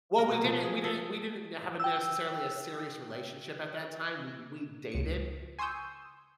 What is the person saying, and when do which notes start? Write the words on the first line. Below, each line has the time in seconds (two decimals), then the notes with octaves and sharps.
Well, we didn't we didn't we didn't have a necessarily a serious relationship at that time, we we dated,
0.18 A#4
0.31 B2
0.44 F3
0.63 G#4
0.84 A4
1.80 G5 E6
4.92 C#2 C#7
5.59 G#5 C6 C#6 D#6 E6 G6